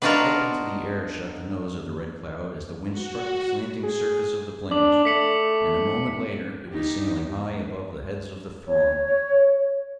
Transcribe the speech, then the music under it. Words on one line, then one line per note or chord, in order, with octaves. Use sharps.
Up into the air shot the nose of the Red Cloud as the wind struck the slanting surface of the planes, and, a moment later it was sailing high above the heads of the throng.
B3 D4 D#4 F4 F#4 A#4
F#4
G#4
D4 D6 F#7
A3 B6 C#7 F#7
D#4 G4
C#5